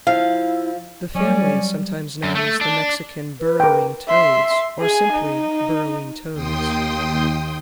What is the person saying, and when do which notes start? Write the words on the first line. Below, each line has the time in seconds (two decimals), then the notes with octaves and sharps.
The family is sometimes known as the Mexican burrowing toads or simply burrowing toads.
0.07 F3 E4 F5
1.15 F#3 G3 C#4 D5
2.24 F#2
2.35 A3
2.61 D4
3.41 B4
3.60 A#4 G5
4.08 E5 C6
4.80 G#4 G#5
5.13 D#4
6.33 D#2 G5 C6 D#6